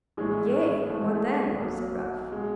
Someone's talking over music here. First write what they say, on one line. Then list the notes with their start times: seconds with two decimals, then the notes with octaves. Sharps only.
"Yea, what then?" said Ralph.
0.17 A#1 A2 E3 G#3
0.89 G#1 G#2 E3 A3
1.01 G#3
1.15 A3
1.54 B3
1.60 B1 B2 F#3 A#3
2.32 B2 G#3